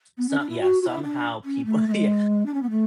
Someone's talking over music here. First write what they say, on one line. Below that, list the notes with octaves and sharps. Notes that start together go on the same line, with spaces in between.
So Yeah, somehow people yeah
B3
C#4
D4
E4
F#4
F#4
E4
D4
C#4
A3
A3
G#3
D4
C#4
B3
A3